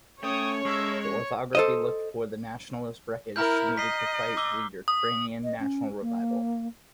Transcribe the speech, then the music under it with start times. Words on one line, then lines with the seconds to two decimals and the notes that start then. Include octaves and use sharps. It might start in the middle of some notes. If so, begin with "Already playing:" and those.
The orthography looked for the "nationalist wreckage" needed to fight the Ukrainian national revival.
0.23 A3 C#4 C#5 G5 D#6
0.65 G#3 A4 A#4 E5
1.01 C#5
1.55 A4 C5 D#5
3.36 E4 A#4 A#5 F6 G6
3.77 D#5 B6 C7
4.37 D6 E6 G7
4.88 D#6
5.44 D#5
5.60 C#4
6.02 A#3